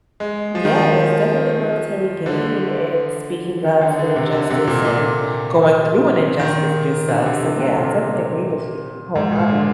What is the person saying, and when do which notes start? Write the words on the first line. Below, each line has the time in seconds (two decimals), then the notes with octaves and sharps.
Yeah, there's definitely monetary gain in speaking up for injustice and going through an injustice yourself, so, yeah, I definitely agree with you wholeheartedly.
0.20 G#3
0.55 F3
0.65 D#3
0.75 F3
2.26 D3
3.64 D#3
3.81 D3
3.99 D3
4.16 C3
4.33 D3
4.50 C3
4.67 A#2
4.85 A#2
6.39 D#3
7.08 D3
7.26 C3
7.43 D3
7.60 C3
7.77 A#2
9.15 G#2
9.32 A#2
9.49 D3